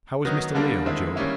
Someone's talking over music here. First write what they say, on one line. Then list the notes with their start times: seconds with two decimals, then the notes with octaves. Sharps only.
"How is Mr. Leo, Job?"
0.25 D#3 F#3 B3 D#4
0.55 D3 G3 A#3 D4
0.86 D#3 G#3 C4 E4
1.16 D#3 G3 A#3 C#4 E4